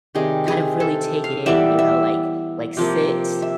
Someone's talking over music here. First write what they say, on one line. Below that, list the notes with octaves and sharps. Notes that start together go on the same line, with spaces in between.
kind of really take it in, you know, like like sit,
C3 D#3 G3 G#4
G#4
A4
F5
E3 G3 B3 E5
E5
C3 F3 A#3
E5